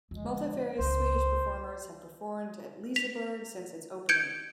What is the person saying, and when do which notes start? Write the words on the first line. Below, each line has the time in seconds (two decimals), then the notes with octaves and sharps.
Multifarious Swedish performers have performed at Liseberg since its opening.
0.11 F2 D3 G#3
0.78 C#2 F#2 C5
2.96 B6 F7
4.09 G6 G#6 C#7 D7